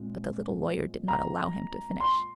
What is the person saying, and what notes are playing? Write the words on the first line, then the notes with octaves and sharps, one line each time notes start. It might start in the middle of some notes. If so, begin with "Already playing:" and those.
But the little lawyer did not allow him to finish.
Already playing: A#2 G#3 C4
A#5
C6